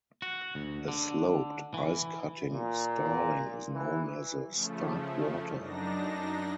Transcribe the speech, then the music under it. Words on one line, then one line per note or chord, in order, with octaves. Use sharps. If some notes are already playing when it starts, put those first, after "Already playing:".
A sloped, ice-cutting starling is known as a starkwater.
F#4
D2
D3
E3
A#2
E3
C#3 F3 A3
F#2 D4 D#4 A#6